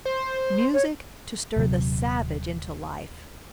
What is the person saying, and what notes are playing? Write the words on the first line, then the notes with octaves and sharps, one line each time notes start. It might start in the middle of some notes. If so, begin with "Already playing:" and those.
Music to stir the savage into life.
C5
C#5
D#1 C3 F#3